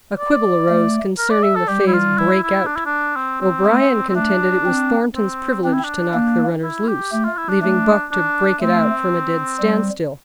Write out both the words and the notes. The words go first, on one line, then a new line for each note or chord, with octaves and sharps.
A quibble arose concerning the phrase "break out." O'Brien contended it was Thornton's privilege to knock the runners loose, leaving Buck to "break it out" from a dead standstill.
D5
A3
A#4
D5
E5
A4
G3 G4
E4
F4
E4
E4
D4
E4
D4
C4
C4
A3
C4
A3 D4
C4
C4
C4 D4
E4
D4
A#3
E4
G4
A3 G4
F4
E4
D4
A3 D4
D4
A3 C4
G3